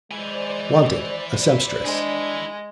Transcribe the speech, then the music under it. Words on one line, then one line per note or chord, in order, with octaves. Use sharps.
Wanted, a Sempstress!
G#3 E4 C5 D5 G#5
G#3 D4